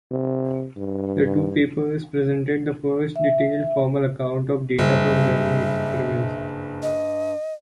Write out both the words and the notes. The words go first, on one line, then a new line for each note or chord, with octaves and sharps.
These two papers presented the first detailed formal accounts of data from learning experiments.
C3
G2
E5
F#1 G2 G3 E5
D#5